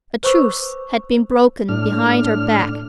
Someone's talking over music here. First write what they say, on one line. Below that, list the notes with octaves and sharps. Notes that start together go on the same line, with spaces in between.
A truce had been broken behind her back.
B4 C5 B5 C#6 D6 E6
A2 D4 F6